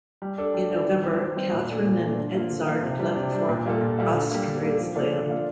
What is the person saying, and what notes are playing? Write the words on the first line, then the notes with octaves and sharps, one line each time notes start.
In November, Catherine and Edzard left for Ostfriesland.
G3
D4 A4
G3
D4 A4
D#3
G3 C4 G4
D#3
G3 C4 G4
A#2
A3 D4 A4
A#2
A3 D4 A4
D3
F3 A#3 F4
D3
F3 A#3 F4
C3
G3 D4
C3
G3 D4
A#2
G3 A#3 F4 A4
A#2
G3 A#3 F4 A4
D3
G3 A#3
D3
G3 A#3
F3
A#3 D4 F4 A4
F3
A#3 D4 F4 A4